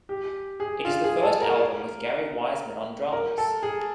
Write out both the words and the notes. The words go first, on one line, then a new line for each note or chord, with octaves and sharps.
It is the first album with Gary Wiseman on drums.
G4
G#4
F4
G#4
A4
A#4
A#4
A4
G#4